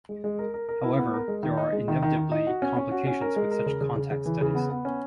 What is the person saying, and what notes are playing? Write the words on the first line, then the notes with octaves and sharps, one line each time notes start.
However, there are inevitably complications with such contact studies.
G#3
G#3
A#4
A#4
A#4
E4
B3
A#4
G#3
D#3
D#4
G#3
D#3
D#3
D#3
D#4
F#4
C#4
C#4
F#4
C#4
A#4
G#3
A#4
C#3
C#3
C#3
C#3
E3
C#3
B3
B3
C#4